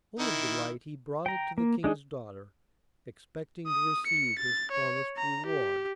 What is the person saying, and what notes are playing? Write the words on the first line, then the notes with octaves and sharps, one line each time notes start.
Full of delight he brought it to the King's daughter, expecting to receive his promised reward.
D#3 E4
G5 A#5
A#3
G#3 D4 D#4 G#4
D#6
C#7
A6
C#5
A#5
G4